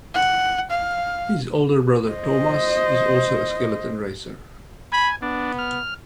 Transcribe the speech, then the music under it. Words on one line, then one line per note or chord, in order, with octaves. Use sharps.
His older brother Tomass is also a skeleton racer.
F#5
F5
C5 D#5
G#5 B5
B3 D4
F6